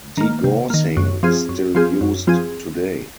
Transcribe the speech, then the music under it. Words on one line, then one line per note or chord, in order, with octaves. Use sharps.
Degaussing is still used today.
D#3 A#3
C3
D#3 A#3
F#2
F3 C4 F4 G#4
F#2
F3 C4 F4 G#4
F#2
F3 C4 F4 G#4